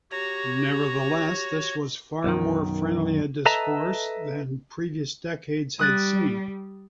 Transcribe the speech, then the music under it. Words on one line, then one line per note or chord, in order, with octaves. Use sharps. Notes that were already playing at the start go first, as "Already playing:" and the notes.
Nevertheless, this was far more friendly a discourse than previous decades had seen.
F#4 G4 C#5 A#5
B1 F#2 D#3
A4 B4 D#5 E5 A5 A#5
G3 D#6 F#6 A6